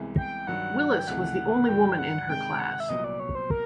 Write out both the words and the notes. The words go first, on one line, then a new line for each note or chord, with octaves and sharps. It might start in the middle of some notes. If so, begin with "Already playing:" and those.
Willis was the only woman in her class.
Already playing: C2 C3 E3 G#3 B3
G5
G2 D#3 F#3 F#5
G5
C#2 C3 E3 A3 F#5
G2 D3 F3 G5
F#5
C3 D#3 G#3 G5
F#5
E5
C2 A#2 F#3 B3 D#5
D5
C#5
C5
A#4